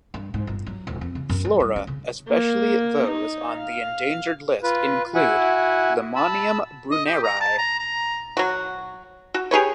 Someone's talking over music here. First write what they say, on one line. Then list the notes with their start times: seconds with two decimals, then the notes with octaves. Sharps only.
Flora especially those on the endangered list include "Limonium brunneri".
0.14 G2
0.34 G#2
0.47 G1
0.66 F#3
0.87 D1
1.01 F2
1.15 C#3
1.29 F#2
1.45 F#3
1.60 G2
1.76 C#4
1.87 C#3
2.28 A#3
3.07 D#4
3.58 F5
4.63 F4 B4
5.15 E4 F#4 E5 F#5 G#5
6.16 A5 B5 E6
6.91 D#5
7.06 G4
7.23 A#5
7.40 A5
7.58 A#5
7.79 A#5
8.37 F#3 F#4
9.34 F#4
9.51 G4 G#4 B4 C#5